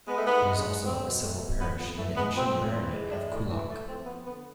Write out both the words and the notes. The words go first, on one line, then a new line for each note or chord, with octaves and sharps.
It is also a civil parish in the ancient barony of Coolock.
G#3 B3
A3
G#2 B3
G#3
G#2
A3 C4
B2
A3
B2
F2 B3
F2 B3
E3 A3
G#3 B3
F2 C4
F2
E3
G#3
A2 D4
A2
E3
A3
F2 C4
F2 B3
D3 B3